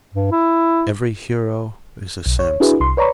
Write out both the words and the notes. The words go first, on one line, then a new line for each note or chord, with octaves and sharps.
Every hero is a Samson.
G2
E4
B1
C#5
D4 E4 F#4 G#4 B4
C2 C6
B4 C#5 D5 A#5 B5 C#6